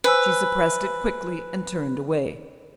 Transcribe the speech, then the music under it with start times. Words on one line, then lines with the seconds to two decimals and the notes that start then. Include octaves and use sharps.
She suppressed it quickly and turned away.
0.04 B4 C5 G#5 E6